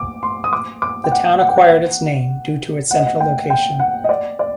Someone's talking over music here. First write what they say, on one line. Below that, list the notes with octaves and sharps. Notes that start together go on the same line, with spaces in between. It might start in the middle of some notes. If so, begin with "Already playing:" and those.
The town acquired its name due to its central location.
Already playing: D6
C6
D#6
D6
D6
G5
F#5
F#5
G5
F#5
F#5
D#5
F#5
G5
G5
F#5
D#5
D5
D5